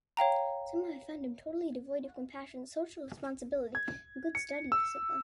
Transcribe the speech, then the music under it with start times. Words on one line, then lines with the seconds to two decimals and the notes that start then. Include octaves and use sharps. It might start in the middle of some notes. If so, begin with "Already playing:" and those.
Somehow I found him totally devoid of compassion, social responsibility, and good study discipline.
0.17 C#5 F5 G5 A#5
3.75 G#6
4.35 C#7
4.72 E6